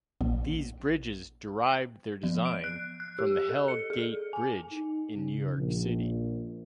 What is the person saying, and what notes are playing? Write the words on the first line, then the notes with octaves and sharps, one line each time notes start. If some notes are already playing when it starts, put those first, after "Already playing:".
These bridges derived their design from the Hell Gate Bridge in New York City.
A#1
F3
D7
F#6
F#6
G4
A4
C#7
G#4
G#5
D#4
C#3
A#1